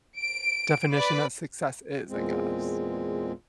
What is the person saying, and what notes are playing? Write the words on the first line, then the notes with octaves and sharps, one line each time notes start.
definition of success is, I guess.
D7
B4 D5 B5
E2 A#2 G#3 C4